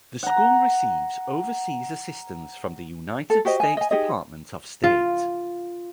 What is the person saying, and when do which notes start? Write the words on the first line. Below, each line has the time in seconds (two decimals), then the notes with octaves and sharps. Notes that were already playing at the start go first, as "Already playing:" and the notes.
The school receives overseas assistance from the United States Department of State.
0.23 F#5 A#5
3.30 A4
3.45 F#4 G4 C5 D#5
3.60 D#5 G#5
3.77 D#5 G#5
3.91 D#4 G4 G#4 D#5
4.84 F4